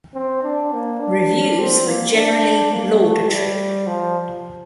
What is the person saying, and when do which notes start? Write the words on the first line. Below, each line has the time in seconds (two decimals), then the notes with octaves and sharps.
Reviews were generally laudatory.
0.14 C4
0.43 D4
0.73 A#3
1.00 D4
1.58 C4
1.87 A#3
2.15 D4
2.73 A#3
3.00 A3
3.30 G3
3.87 F3